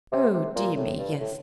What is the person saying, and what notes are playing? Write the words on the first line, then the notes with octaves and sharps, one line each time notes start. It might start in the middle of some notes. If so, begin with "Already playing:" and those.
Oh dear me yes.
C3
C3
A#2
A2
G2
A2